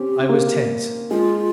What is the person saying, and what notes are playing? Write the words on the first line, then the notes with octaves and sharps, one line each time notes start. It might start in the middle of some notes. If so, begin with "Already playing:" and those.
I was tense.
Already playing: C4 C#4 G4
C4
A#3
G#3 F4